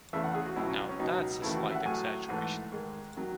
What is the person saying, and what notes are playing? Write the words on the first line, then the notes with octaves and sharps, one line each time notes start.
Now that's a slight exaggeration.
E2 C#3 E3 A3 E5
F#5
G#4
F#4
C#2 B2 F#3 E4
C#4
C#4
C#2 B2 F#3 D#4
D#2 C#3 E3 A3 E4
F#4
E5
F#5
A2 F#3 A3 G#5
G#2 E3 A3 F#5
G#2 D#3 G#3
D#3 F#3